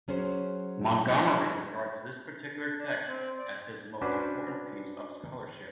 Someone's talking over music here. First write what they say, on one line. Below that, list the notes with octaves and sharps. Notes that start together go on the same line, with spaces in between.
Montgomery regards this particular text as his most important piece of scholarship.
F#3 C#4 G#4 C5
D4
F#6
C4
D5
C#4 D4 F#4 B4 C5